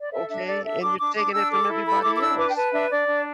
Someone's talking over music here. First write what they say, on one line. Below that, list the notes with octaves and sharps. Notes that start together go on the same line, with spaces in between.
Okay, and you're taking it from everybody else.
D5
A4 E5
D4 E5
A4 D5
D4 E5
D4 D6
D4 D6
D4 D6
D4 E6
A4 D6
E4
A4 B5
E4 D6
D6
D4 E6
B4 D6
G5
B4 A5
D4 E5
D4 D5
D4